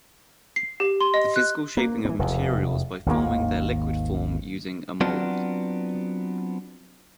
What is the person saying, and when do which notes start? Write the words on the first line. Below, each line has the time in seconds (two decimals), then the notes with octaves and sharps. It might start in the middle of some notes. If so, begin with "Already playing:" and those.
The physical shaping of materials by forming their liquid form using a mould.
0.56 C7
0.80 G4
1.01 C6
1.14 D#5
1.36 F#6
1.77 A#3
2.05 E3 B3
2.19 F1 E2
3.06 G#1 D#2 D#3 A#3
5.01 F#3 B3 C4 D4 F4 F#4